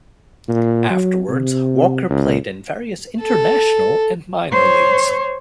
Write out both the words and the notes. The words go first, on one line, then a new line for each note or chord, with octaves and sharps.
Afterwards, Walker played in various international and minor leagues.
A#2
F#3
C3
C#2
A4
C5 C#5